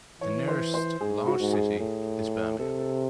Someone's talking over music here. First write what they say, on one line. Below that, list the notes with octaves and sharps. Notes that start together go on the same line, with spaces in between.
The nearest large city is Birmingham.
E3 C#5
C5
C5
G#2 G#4
F#4
G#2
G#4
A2
C3 A4
A4